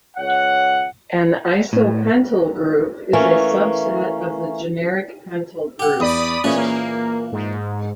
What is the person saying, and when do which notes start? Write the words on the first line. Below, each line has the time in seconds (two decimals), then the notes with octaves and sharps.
An isopentyl group is a subset of the generic pentyl group.
0.17 C#2 C#5 F#5
1.73 A2
3.13 E3 A3 A#3 C#4
5.79 G4 F#5
6.00 E2 D5 B5 D#6
6.44 A#2 E3 C#4 G#4
6.56 A#3
7.32 G#2